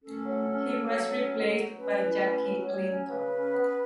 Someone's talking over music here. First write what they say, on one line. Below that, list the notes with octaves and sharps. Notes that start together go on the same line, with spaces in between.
He was replaced by Jackie Lynton.
C#4 A4
F#3
C#4
F#3
F#3
C#4
F#3
F#3
C#4 B4
E4
C#4
F#3
F#3 C#5
C#4
C#3 B4
C#4
B3